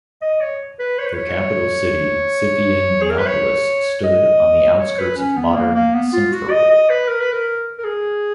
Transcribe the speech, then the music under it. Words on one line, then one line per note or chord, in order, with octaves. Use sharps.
Their capital city, Scythian Neapolis, stood on the outskirts of modern Simferopol.
D#5
C#5
B4
C#5
B4
C#5
G#4
A#4
B4
C#5
D#5
C#5
B4
C#4
B3
A#3
A#3
B3
F4
F#4
D#5
D#5
B4
A#4
B4
A#4
A#4
G#4